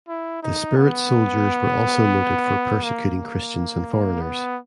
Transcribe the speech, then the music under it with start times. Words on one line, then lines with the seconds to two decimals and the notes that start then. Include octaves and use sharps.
The Spirit Soldiers were also noted for persecuting Christians and foreigners.
0.08 E4
0.43 D#4
0.77 B3
2.84 A#3
4.21 B3